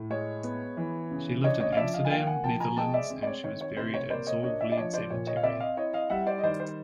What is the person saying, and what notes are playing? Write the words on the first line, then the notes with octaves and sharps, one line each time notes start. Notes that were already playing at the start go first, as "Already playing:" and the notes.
She lived in Amsterdam, Netherlands, and she was buried at Zorgvlied cemetery.
Already playing: A2
G#3 C#5
B3
E3
C#3
D4 C#5 D#5
C#5 D#5
F5
F3 D5 E5
D#5 F5
G#5
A#3 F5 G5
F#5 G#5
F3 G5 A5
G#5 A#5
G#3 G5 A5
D5 E5
C4
D5
C#5
D#3 C#5
C#5
C3 C5
C#5
A#3 C5 D5
C#5 D#5
D4 C#5 D#5
D5 E5
D5
F3 C#5 D#5
C5 D5
A#2 C#5
C#5 D#5
F5
C4 D5 E5
D#5 F5
E4 C#5 D#5
D#5 F5
G3 E5 F#5
C5 D5
D#5
D#3 C5 D5
C5